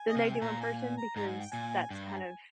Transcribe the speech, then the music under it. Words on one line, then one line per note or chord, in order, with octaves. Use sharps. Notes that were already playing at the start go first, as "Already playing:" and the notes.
than they do in person, because that's kind of
Already playing: G#5
D#5
C3 F5
G5
G#5
A#2 A#5
G#5
G#5
A#5
G#2 A#5
G#5
G5
A#2 G#5
G2 G5
A#5
G#5